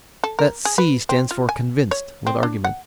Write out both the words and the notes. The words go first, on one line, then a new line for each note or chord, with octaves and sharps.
That 'C' stands for 'convinced,' with argument.
A4
A#4
G#4
B4
C4
F4
G#5
C#5
C4
D4
F#5